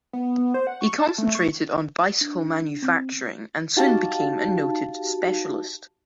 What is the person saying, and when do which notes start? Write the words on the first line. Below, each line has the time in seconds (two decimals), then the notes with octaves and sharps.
He concentrated on bicycle manufacturing and soon became a noted specialist.
0.13 B3
0.38 B3
0.54 C5
0.67 F#5
0.81 C#6
1.00 A5
1.18 A3
1.35 C#6
2.21 D4
2.83 C4
3.77 D#4 F#4 G4 F5 A5